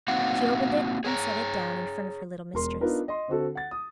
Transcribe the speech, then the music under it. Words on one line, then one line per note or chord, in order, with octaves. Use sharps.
She opened it and set it down in front of her little mistress.
A#3 C4 D#4 F#4 F5 F#5
G#4 C#5 G#5 A#5
E1 A#4 C6
B3 D4 D#4 F4 A#4 B4
D#5 C6
D3 C4 F#4 A4
F#5 A6
D#6